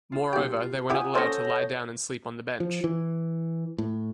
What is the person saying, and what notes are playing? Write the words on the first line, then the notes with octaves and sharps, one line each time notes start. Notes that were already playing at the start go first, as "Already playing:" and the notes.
Moreover, they were not allowed to lie down and sleep on the bench.
F4
B1 G4 G5
F4
E4 F4 G4 E5 F#5 G#5 D#6
C#4 A4 C5 C#5 G6 A#6
F3
E3
A2